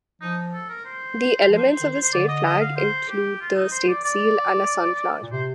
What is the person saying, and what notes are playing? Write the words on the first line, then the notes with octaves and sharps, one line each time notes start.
The elements of the state flag include the state seal and a sunflower.
F3 D#4
A4
A#4
C5
F3
D#3
C5
D3 D5
D#5
D#5
F5
C5
G4
F4
D#4
C5
D5
D5
A#2
C3 C5